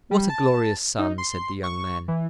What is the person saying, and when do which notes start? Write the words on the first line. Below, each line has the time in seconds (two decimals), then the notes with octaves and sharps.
"What a glorious sun," said the young man.
0.11 G3
0.30 A5
0.99 D#4
1.18 C6
1.63 C#6
2.08 E3